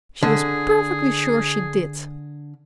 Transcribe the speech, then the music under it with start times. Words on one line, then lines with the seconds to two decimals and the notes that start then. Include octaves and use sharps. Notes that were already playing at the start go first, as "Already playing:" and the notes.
She was perfectly sure she did.
0.23 D3 G#4